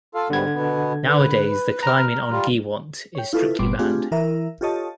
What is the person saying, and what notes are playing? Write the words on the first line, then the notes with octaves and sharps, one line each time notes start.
Nowadays the climbing on Giewont is strictly banned.
F4 A4 F5
G#2 D3 G3 B3 G#6
B2 B3
B4
A#5 F6
G3 F4
C#5 G5
E4 F4 A4 B4
G1 A#2 G3 B3 C6 D6
A3 C4 D4 F4 G4 G#4
E3 E4 A#4 E5
F4 G4 A4 C#5 D#5 A5